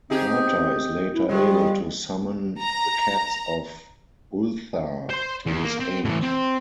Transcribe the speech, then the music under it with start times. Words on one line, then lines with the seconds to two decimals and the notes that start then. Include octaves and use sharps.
Carter is later able to summon the cats of Ulthar to his aid.
0.10 C4 D#4 G4 G#4
1.14 E4
1.29 F3 G3 G#3
2.60 A#5
5.10 C5 C6
5.47 E2
5.64 A#3
5.80 C4
6.05 A2 E3
6.23 C4